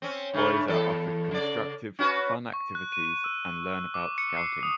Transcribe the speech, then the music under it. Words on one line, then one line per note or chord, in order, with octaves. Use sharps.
Boys are offered constructive, fun activities and learn about scouting.
C4 C#4
G2 C#3 A3
E2 A4
C#3 D5
C#4 F#4 B4
C#6
F#6
D#7
E6
D6
C#7
C7
D#6